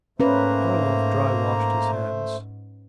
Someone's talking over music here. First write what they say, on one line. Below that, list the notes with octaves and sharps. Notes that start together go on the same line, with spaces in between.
Karlov dry-washed his hands.
G#2 A3 A#3 C#4 B4 C5 E5 A#5